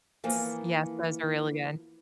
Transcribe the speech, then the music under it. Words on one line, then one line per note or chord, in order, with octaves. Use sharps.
Ts Yes. Those are really good.
E3 F3 A#3 B3